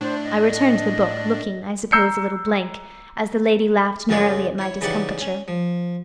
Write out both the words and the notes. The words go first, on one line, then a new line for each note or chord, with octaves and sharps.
I returned the book, looking, I suppose, a little blank, as the lady laughed merrily at my discomfiture.
A2 D4 C5
D#5
A#5 E6 G6 C7 C#7
F#2 C#3 F4 F#4 G#4 D5
E4 C#5
C#3 E3 D#4 G4 D5 F#5
C#4
F3